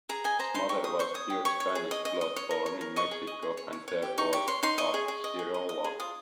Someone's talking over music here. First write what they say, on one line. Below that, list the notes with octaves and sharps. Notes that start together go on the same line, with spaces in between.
His mother was of pure Spanish blood born in Mexico, and therefore, a criolla.
G#4 A#5
D#5 G#5
C5 A#5
D#4 C6
G4 C#6
C5 D#6
C5 C#6
C#5 D#6
G4
C#5 C#6
C#5
G#4
D#5
D#5
D#5
C#5
A#4
C#5
A#4
D#5 C#6
G#4
D#5
G#4
C#5
C#5
C#5
G4
D#4 C#6
G4 C#6
C#5 C6
D#4 C6
D#5 C#6
G#4
G#4
D#5
G#4
D#5
D#5
G#4
F4 D#6